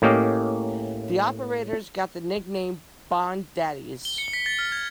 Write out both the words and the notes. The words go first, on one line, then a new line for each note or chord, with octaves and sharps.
The operators got the nickname Bond Daddies.
A2 A#3 C#4 G4 D#5 F5
G7
C#7
B6
A6
F6
G#6